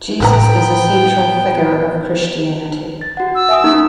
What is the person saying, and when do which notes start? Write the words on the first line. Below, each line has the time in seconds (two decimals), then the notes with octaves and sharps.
Jesus is the central figure of Christianity.
0.20 A2 F3 B3 D4 B4 G5 A#5
3.01 A6
3.17 F#4 F#5
3.35 E6
3.49 E5 G#5 D#6
3.64 A#3 C#4 D#4 G4 A#5